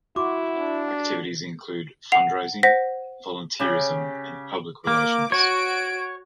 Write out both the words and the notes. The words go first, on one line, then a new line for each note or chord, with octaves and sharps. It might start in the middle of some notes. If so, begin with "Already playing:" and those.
Activities include fund-raising, volunteerism, and public relations.
E4 F#4 C6 D6
D4
F#5 C7 F7
C5 F#5 A#6 B6
C#3 G4
A#3 D6
F#4 C#5 D7